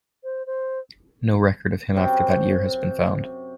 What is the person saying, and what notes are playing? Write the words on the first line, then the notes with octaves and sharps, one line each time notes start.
No record of him after that year has been found.
C5
C5
F#2 C3 G5 C#6